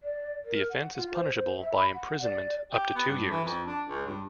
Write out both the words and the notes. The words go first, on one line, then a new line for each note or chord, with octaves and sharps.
The offense is punishable by imprisonment up to two years.
D5
A#4
F#5
F4
C5
C5
E5
B5
F#5
D5
G4
B3
G2
E3
F2
D4
C#2
G2